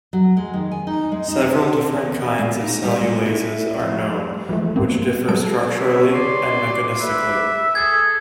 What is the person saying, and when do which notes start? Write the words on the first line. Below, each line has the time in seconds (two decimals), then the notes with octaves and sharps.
Several different kinds of cellulases are known, which differ structurally and mechanistically.
0.13 F#3
0.37 G#3
0.54 D#3
0.72 G#5
0.87 D#4
1.12 G#3
1.28 D#4
1.42 G#4
1.92 E2
2.38 G#3
2.60 D#4
2.83 G3
3.01 G#3
3.26 E4
3.80 F2
4.49 E3 F3 G#3 A3
4.76 G#2 G3 A#3 C4
5.28 F#3 G#3 B3 A4 D7
5.78 E4 C#5
6.14 D5 C6
6.56 D6
7.00 B4 E5
7.75 G#4 A4 G#6